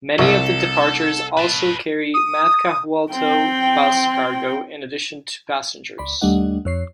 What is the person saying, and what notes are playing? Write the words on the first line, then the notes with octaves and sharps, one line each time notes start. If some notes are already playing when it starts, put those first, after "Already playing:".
Many of the departures also carry Matkahuolto bus cargo in addition to passengers.
C2 A4
B4 A5
D#6
C4 G5
C#2 D5 B5 C6
D#2 G3 A3 D4 D#5 F#5
F2 C#5 C7